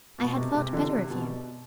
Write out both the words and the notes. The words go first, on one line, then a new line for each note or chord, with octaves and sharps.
"I had thought better of you."
B2
C3
C3
D3
C3
B2